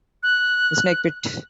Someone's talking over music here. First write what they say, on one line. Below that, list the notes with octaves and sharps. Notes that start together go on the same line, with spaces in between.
"The Snake Pit".
F#6